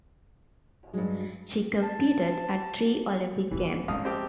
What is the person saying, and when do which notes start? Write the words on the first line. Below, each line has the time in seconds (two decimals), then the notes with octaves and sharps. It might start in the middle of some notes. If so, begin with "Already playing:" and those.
She competed at three Olympic Games.
0.94 G2 F#3 G#3
1.83 A5
3.51 D#1 E3 C4
3.88 A1 G#3 F5 D#6
4.04 A#1 C4 G4